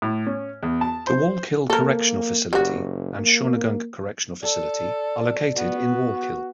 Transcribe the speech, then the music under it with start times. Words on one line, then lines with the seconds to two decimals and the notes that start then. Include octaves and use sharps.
The Wallkill Correctional Facility and Shawangunk Correctional Facility are located in Wallkill.
0.02 A2
0.26 C#4
0.63 E2
0.81 A5
1.07 C5
1.70 A#3 A4 A#4
2.53 F#1 G3 F#4
3.19 A#3
4.42 A4 D5
5.57 B3 F#4